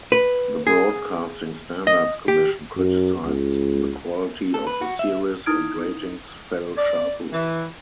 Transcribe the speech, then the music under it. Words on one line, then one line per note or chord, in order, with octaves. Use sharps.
The broadcasting standards commission criticised the quality of the series and ratings fell sharply.
B4
G#4
D#5
G4
F#2
C#2
A4
B4
F#4
E5
D#4 E4 D#6 F6 G#6 D7
D5
E3